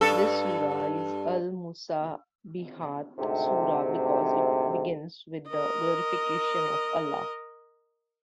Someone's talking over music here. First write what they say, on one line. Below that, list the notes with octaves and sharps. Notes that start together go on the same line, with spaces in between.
This sura is a Al-Musabbihat sura because it begins with the glorification of Allah.
G2 A4
D2 G#2 C3
A#4 D#5